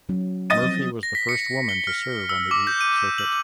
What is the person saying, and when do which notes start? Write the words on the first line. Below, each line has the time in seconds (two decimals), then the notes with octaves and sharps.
Murphy was the first woman to serve on the Eighth Circuit.
0.09 F#3 C#4
0.50 D#5 A6 D#7
0.62 F3 F#3 C4
1.03 A#6
1.15 B6
1.29 C#7
1.69 G7
1.87 F6
2.29 E6
2.51 D6
2.67 G6
2.81 D#7
2.96 G6
3.18 F#7